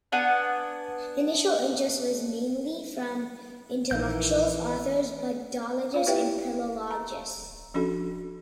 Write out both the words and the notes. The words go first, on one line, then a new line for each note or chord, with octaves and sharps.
Initial interest was mainly from intellectuals, authors, Buddhologists and Philologists.
B3 D4 F#5 G#5
A#1 E3 D#4 A#4 G6
F4 F5
E4 G4 B4 C#5 E5 G5
A#5
F3 C#4 D4 F#4 A4